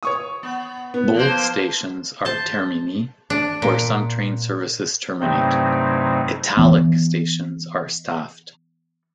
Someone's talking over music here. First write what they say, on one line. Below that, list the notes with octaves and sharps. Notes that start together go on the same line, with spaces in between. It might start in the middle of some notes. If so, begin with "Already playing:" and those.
Bold stations are termini, where some train services terminate; "italic" stations are staffed.
C#5 C#6 D#6
B3
B3
F3 A#3 C5
C5 A5
D4
A#2
G2 C3 F#3 A3 C4 D#4
E3 B3